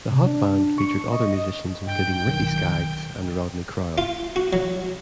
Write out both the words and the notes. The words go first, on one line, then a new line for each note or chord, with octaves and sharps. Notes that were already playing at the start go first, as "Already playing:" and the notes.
The Hot Band featured other musicians including Ricky Skaggs and Rodney Crowell.
C3
D4
C#6
D#5
G2 G5
B1 D#3
F4
F#4
F#3